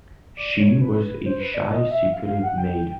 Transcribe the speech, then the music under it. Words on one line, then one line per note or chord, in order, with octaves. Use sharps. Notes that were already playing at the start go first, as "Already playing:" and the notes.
She was a shy, secretive maid.
D5
C#5
B4
C5
B4
D5
D#5
E5
F5
F5
F#5
G5